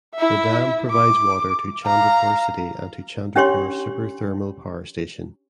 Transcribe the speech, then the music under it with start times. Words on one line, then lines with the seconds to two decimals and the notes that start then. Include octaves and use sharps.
The dam provides water to Chandrapur city and to Chandrapur Super Thermal Power Station.
0.15 E4 E5
0.90 D6
1.85 F5 A#5
3.36 C#4 D4 G4 C#5 C6 C#6